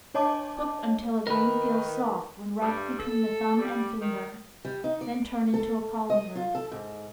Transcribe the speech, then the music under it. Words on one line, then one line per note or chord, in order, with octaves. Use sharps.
Cook until a grain feels soft when rubbed between the thumb and finger, then turn into a colander.
D4 C#5 D#5 A5 D6
D#3 A#4 B4
G2
A4
G3
D#3
G3
D#4
D5
A4
D#5
F4
A4
G#2